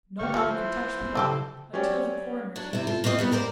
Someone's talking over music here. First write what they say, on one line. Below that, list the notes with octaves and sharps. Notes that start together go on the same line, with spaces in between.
Nobody could touch the body until the coroner came.
D3 F3 G3 C#5 F5 G5 C#6
F3 G#3 F4 A4 E5 C6
E3 C5
B3 C4
C#3 A3 G4 A4
F#3 C#4 G4 C#5 D5
F#3 D4
C3 E4
F4 A4
A#3 C4 F4 C#5 D#5
C#3 G3 B3
G4 A#4 C5 D5